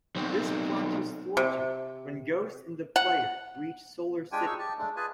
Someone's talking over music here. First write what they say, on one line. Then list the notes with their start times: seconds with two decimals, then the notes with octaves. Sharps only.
This plot is thwarted when Ghost and the player reach Solar City.
0.16 B1 C4
1.37 C3
2.96 F#5
4.32 G#3 D4 F4 G4 G5 G#5
4.46 D#4 G#4 C#5 C#6 E6
4.59 G4 A5
4.78 G#3 A3 D4
4.96 F4 G#4 B4 G#5 A5